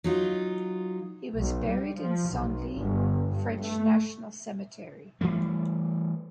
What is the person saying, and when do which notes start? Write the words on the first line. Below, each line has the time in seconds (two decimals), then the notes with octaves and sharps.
He was buried in Senlis French National Cemetery.
0.04 F#3 D#4 F4
1.37 B1
1.68 G3
2.00 F3
2.31 B1
2.75 G1
3.29 G2
3.61 A3
5.21 E3 F3 G3 A3